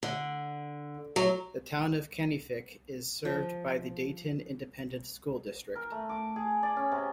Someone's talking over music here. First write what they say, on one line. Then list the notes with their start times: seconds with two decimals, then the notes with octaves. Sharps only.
The Town of Kenefick is served by the Dayton Independent School District.
0.03 D3
1.16 F#3
3.25 F3
5.75 A#4
5.92 A3
6.09 D6
6.36 G#4
6.63 D5
6.77 C#4
6.92 C3